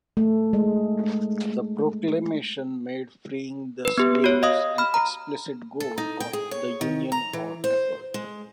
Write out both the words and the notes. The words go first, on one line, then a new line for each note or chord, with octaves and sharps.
The Proclamation made freeing the slaves an explicit goal of the Union war effort.
A3
G#3
B4
B3 G4
F#4 C#5
D#5 F5 D#6
B5 F6
A#5
A4
D#4
G5
G#4
C#5
D#3
A#5
E3
C5
G#3